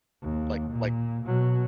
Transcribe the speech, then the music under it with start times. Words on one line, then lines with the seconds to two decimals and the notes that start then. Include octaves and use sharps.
Like like,
0.22 D#2
0.70 A#2
1.25 B2 F#3